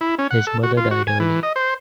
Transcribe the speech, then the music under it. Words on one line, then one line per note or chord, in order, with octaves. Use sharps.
His mother died early.
E4
C#4
F#5
A4
F#4
F4
F#4
G#5
E3
D#5
C5